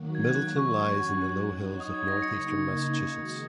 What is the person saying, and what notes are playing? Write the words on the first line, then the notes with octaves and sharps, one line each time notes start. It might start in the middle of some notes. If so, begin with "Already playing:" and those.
Middleton lies in the low hills of northeastern Massachusetts.
Already playing: D#3 F#3 A#3 F#4
G#6
F#6
F#6
F#3 C#4 F#4 C#6
F#3 D#4 F#4
D#6
G#6
A#6
C#3 A#3 D#4 C#7
D#3 G#3 F#4